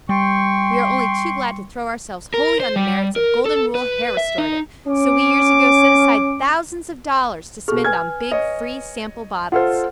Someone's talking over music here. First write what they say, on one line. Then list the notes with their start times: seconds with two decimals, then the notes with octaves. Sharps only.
We are only too glad to throw ourselves wholly on the merits of Golden Rule Hair Restorative, so we years ago set aside thousands of dollars to spend on big free Sample bottles.
0.09 G3 G5 C6 C#6
2.34 A#4
2.60 C5
2.76 G3
3.16 A#4
3.46 A4
3.75 B4
4.17 E5
4.38 D#4
4.87 C#4 D6
7.68 B2 G#4 A4 C#6 F6
7.84 B4 G#5 F6 G#6
8.32 C#5 D#5
9.52 F4 A4 C5 F#5 F6